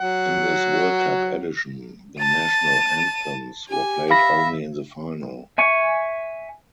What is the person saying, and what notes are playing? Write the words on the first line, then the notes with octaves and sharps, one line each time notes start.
In this World Cup edition, the national anthems were played only in the final.
F#3 F#5
A5 A6 D#7
G4 G#5
E5 F5 B5 A#6
E5 G#5 C#6